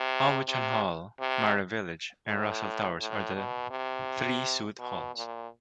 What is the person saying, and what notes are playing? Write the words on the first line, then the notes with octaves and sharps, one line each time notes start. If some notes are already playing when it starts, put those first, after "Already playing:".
Aubuchon Hall, Mara Village, and Russell Towers are the three suite halls.
Already playing: C3
C3
C3
A2
A2
B2
C3
B2
A#2